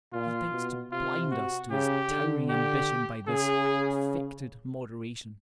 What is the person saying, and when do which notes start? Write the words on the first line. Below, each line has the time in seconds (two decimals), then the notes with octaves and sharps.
He thinks to blind us to his towering ambition, by this affected moderation.
0.13 A#2 F4
0.52 B2
0.91 C3 F4
1.31 F#4
1.70 C#3 G4
2.10 D3
2.49 G4
3.27 C#3 G#4